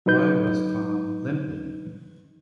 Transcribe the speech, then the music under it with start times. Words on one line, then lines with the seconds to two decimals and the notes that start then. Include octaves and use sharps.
Why was Tom limping?
0.06 F#3 D#4 B4 G6